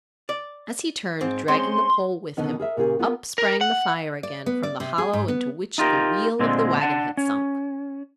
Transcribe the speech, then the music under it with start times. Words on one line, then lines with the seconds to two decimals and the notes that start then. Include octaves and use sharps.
As he turned, dragging the pole with him, up sprang the fire again from the hollow into which the wheel of the wagon had sunk.
0.29 D5
1.21 G#2 C4
1.48 G#3 C4 C#4 C6
2.37 B2 D3 D#3 B3 C#4
2.59 G#4 A#4 E5
2.77 A#2 C#3 G4 G#4
2.99 B3 F4 G#4 A#4
3.38 A#4
3.61 F#5
4.23 D5
4.46 B3
4.63 D5
4.80 C3
4.98 G#4
5.13 G#2
5.28 B3
5.78 D#4 F4 G4 A#4
6.39 A#2 D3 G#3 C4
6.81 D4 F#5 A5
7.17 C#4